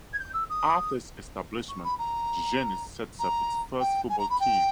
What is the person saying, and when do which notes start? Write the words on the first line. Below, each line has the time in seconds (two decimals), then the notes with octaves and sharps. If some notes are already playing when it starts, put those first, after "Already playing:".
After its establishment Digenis sets up its first football team.
0.13 G#6
0.19 G6
0.34 E6
0.50 D#6
1.69 C#6
1.84 B5
1.99 A#5
3.19 A#5
3.80 G5
4.09 G#5
4.19 A#5
4.30 B5
4.40 G5